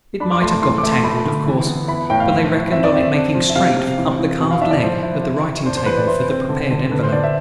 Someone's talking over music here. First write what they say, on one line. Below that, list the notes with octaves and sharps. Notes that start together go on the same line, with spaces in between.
It might have got tangled, of course, but they reckoned on its making straight up the carved leg of the writing-table for the prepared envelope.
D4 B5
D6
A3 C6
C6
E3 C6
D6
A3
C6
A3 B5
D3
E3
B3
E4 B5
A2 G5
F5
F3
E4
C4 E5
D5
C4 E5
D4
F3
E5
C3 F5
C3
E3
E3
B2
F5
D4 E5
D5
F3 C5
E4
E4
E4
D4 C5
C5
E3 B4
D5
E4 C5
C4
D3
D3
D3 B4
C5
D4 D5
E5